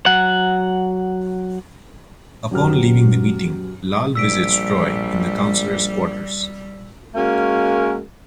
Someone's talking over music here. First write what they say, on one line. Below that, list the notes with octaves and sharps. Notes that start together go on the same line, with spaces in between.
Upon leaving the meeting, Lal visits Troi in the counselor's quarters.
F#3 F#5
F#2 F#3 G4 B4 F6
A#1 G3 E6 B6 D7
G#3 A#3 C#4 F#4 A#4